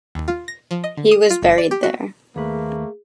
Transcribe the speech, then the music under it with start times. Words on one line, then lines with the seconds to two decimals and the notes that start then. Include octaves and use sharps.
He was buried there.
0.15 D#2
0.28 F4
0.48 A#6
0.71 F3
0.84 D#5
0.97 D3
1.11 D#6
1.30 F4
1.42 G1
1.58 D5
1.71 G4
1.83 F#4
2.36 D#2 A3 A#3 G#4 B4